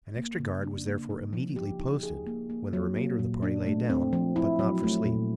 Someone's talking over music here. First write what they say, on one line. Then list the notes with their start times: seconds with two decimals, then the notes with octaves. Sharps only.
An extra guard was therefore immediately posted, when the remainder of the party lay down; but, not for sleep.
0.16 A#3
0.39 C#3
0.63 D4
0.87 A#3
1.10 D#4
1.33 F3
1.56 G4
1.80 D#4
2.03 G#4
2.27 A#3
2.50 A#3
2.73 F#3
2.97 A#3
3.19 A#2
3.43 D4
3.66 A3
3.90 C4
4.13 F3
4.36 E4
4.59 F#3
4.83 A3
5.06 A#2